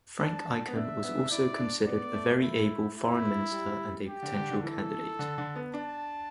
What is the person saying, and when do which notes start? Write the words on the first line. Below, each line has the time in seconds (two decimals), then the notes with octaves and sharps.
Frank Aiken was also considered a very able Foreign Minister and a potential candidate.
0.20 D4 A5
0.68 B3
0.75 D4 E5
1.04 B3
1.18 D4
1.31 E4 D5
1.53 E4
1.59 D4
1.86 B3 D5
2.14 A3
2.42 E4
2.97 E4
3.52 G3
4.08 G4
4.22 D3
4.36 D3
4.50 D3
4.63 E3 A4
5.19 D3
5.38 D3
5.55 B3
5.74 D4 A5